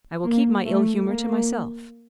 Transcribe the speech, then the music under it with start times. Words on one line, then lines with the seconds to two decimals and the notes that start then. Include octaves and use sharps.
I will keep my ill-humour to myself.
0.24 A#3
0.65 A3
1.07 A#3